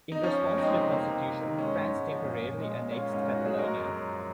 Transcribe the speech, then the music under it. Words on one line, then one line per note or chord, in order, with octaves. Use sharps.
In response to the constitution, France temporarily annexed Catalonia.
D#4
F3 C#4
F2
G#3 C4 D#4
C3
A#3
C3
C3
D#3
G#3 C#4
G#2
G#2
F3
A#2
A#2
G#3
G#3
A#3 C#4 F4
G#2 C#4 F4
G#2
F#4
F#3 G#4
G#3 F#4 A#4
F#2
F#2
F3